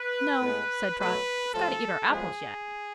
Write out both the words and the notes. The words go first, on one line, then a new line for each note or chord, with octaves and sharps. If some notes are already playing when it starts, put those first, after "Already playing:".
"No," said Trot; "we've got to eat our apples yet."
Already playing: B4
A2 G#3 B3
B2 F#3 A3 B4
A2 F3 A3 A4
F#2 F3 G#3 B3 G#4